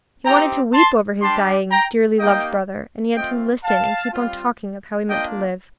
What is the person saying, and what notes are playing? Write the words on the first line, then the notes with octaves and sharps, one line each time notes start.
He wanted to weep over his dying, dearly loved brother, and he had to listen and keep on talking of how he meant to live.
C4 D#4 G4 G5 A#5
A5 C6
G3 D4 G4 A5 C6
G5 A#5
A#3 D#4 G4 D#5 G5
A3 C4 F4 D#5 G5
F5 A5
G3 C4 F4
A#3 D4 F4 D#5 G5